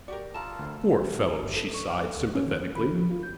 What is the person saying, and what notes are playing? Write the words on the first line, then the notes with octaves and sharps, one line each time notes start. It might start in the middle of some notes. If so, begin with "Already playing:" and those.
"Poor fellow!" she sighed sympathetically.
F#4 G4 A#4 D5
F4 A4 A5 A#5
D2
G1
A4
C#6
F6
A4
D2
C#4
D#3
B5
F3
F4
G6